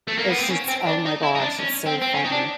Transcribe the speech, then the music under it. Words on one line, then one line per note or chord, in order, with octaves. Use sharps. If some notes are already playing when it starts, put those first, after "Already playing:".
it's just oh my gosh, it's so funny.
A3
A#3
B3
C4
C#4
C4
D4
D#4
E4
D#4
D4
C#4
C4
C4
C#4
D#4
D4